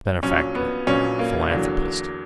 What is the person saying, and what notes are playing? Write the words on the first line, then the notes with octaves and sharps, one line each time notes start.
Benefactor; philanthropist.
A#1 A#2 F#3 C#4
B3
A#1 A#2 F#3 C#4
A#3
E2 D3 F#3